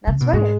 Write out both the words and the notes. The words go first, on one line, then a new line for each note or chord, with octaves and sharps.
That's right.
C#3
B2
G#2 G#3